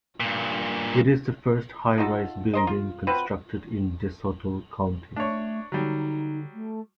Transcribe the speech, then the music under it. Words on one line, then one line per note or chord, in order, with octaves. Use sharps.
It is the first high-rise building constructed in DeSoto County.
G2 A#2
D#4 F4 F#4 A4
A#4 C5 D#5
F4
C4 F4 F#4 B4
A3 D4 C#5
D3 F#3 G3 D#4
A3